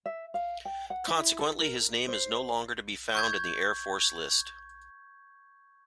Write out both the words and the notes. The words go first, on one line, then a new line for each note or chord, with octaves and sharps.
Consequently, his name is no longer to be found in the Air Force List.
E5
F5
G5
F#5
E4
A4
A#4
C5
C#6 G6 G#6